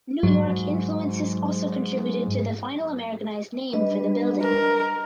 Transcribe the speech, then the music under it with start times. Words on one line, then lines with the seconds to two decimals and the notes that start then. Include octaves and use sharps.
New York influences also contributed to the final Americanised name for the building.
0.23 G#2 F#3
3.73 G3 D4 B4 D#5
4.43 A#4